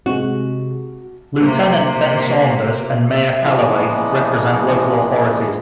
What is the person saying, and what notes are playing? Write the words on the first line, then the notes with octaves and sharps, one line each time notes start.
Lieutenant Ben Saunders and mayor Calloway represent local authorities.
C3 G#3 F#4
C3 A#3
A#2 C#3 E3 F3 G#3 B3